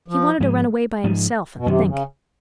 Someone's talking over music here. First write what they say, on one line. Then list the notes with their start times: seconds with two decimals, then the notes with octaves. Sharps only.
He wanted to run away by himself and think.
0.08 F3
0.40 G#2 F3 G#3
1.04 G#2 F3 G#3
1.57 B2
1.66 F#2 C3 D#3 F#3
1.88 C#3